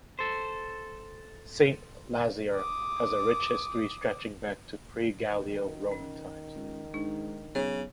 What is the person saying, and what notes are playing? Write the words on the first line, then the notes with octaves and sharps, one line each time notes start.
Saint-Lizier has a rich history stretching back to pre Gallo-Roman times.
A4 C5
D6 D#6
D#3
C#4
C#2
G#2 D4
B1 C#3 C#5